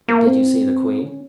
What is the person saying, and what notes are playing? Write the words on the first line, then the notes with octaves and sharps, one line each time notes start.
"But did you see the queen?"
A#3
C4
C#4